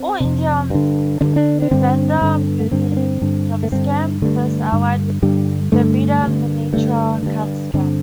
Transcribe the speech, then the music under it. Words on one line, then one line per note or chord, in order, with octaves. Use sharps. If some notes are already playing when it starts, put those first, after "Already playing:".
All India Moovendar Munnani Kazhagam first allied with Dravida Munnetra Kazhagam.
Already playing: C4
F2 C3
G2 D3
G2 D3 D4
D4
D4
G2 D3 C4
G2 D3
A3
G2 D3 C4
D4
C4
G2 D3
A3
G2 D3 C4
G2 D3 A3
G2 D3
G2 D3 G3
G2 D3 A3
G2 D3
G2 D3 A3
G2 D3
G2 D3 C4